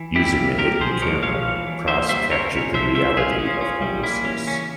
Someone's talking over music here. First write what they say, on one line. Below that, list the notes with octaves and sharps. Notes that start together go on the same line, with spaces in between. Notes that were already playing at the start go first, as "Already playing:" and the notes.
Using a hidden camera, Pras captured the reality of homelessness.
Already playing: E3
G3 E4 G4
A#3
F3 G4 A#4
F3 G#4 C5
G#3 A#4 C#5
F3 C#5 F5
E3
E3
A#3 C5 E5
G3 C5 E5
C#3 A#4 C#5
C#3
F3 C5 E5
C#3 C5 E5
C#4 F4 G#4
C#4
C#4
G3
A#3 E4
E3 C#4
C#3 C#4